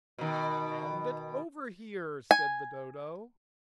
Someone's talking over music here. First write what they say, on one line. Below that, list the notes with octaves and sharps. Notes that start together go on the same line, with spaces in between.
'Hand it over here,' said the Dodo.
B2 D#3
G#5